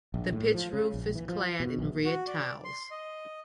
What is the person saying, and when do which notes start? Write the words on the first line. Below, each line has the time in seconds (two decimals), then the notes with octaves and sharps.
The pitched roof is clad in red tiles.
0.14 A#1
0.33 A2
0.55 F3
0.73 C#3
0.94 A#1
1.15 E3
1.29 F3
1.60 B2
1.79 A#1
2.05 F#4
2.27 D5
2.65 C6
2.91 D#5